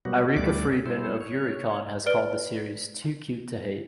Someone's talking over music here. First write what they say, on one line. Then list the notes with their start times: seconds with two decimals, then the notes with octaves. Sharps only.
Erica Friedman of Yuricon has called the series "too-cute-to-hate".
0.05 B2 F#3 G3 A#3 B3 F#4
0.36 D2 G2 G3 A3 D5 D6
0.86 G3 E4 A4 C5
1.21 C#5
2.06 B4 D5 F6 D7 G7